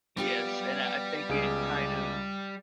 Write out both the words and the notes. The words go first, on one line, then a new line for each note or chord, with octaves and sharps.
yes, and I, uh, think it kind of,
G3 B3 F4 G4
C#2 G#4 D7